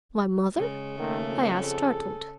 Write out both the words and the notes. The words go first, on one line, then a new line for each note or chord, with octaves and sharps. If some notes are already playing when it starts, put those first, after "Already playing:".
"My mother?" I asked, startled.
C#3 G#3
D#2 D#3 A3 A#3
F2
G#4 A4